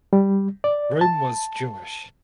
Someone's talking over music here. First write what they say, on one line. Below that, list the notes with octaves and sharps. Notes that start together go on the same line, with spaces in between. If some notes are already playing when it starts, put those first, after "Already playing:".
Rome was Jewish.
G3
D5
A5